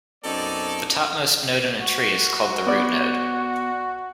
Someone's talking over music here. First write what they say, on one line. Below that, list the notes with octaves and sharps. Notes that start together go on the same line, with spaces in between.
The topmost node in a tree is called the root node.
F#2 B3 C4 D#4 A4 D5
F#4
B3 D5